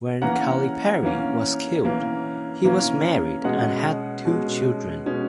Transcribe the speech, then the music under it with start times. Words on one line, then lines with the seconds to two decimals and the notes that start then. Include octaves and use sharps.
When Calipari was killed, he was married and had two children.
0.22 E3 A#3 C#4 F#5 A#5
1.03 E3 A#3 C#4
1.83 E3 A#3 C#4
2.64 E3 A#3 C#4
3.44 B2 G#3 C#4 D#5 F#5
4.25 B2 G#3 C#4
5.06 B2 G#3 C#4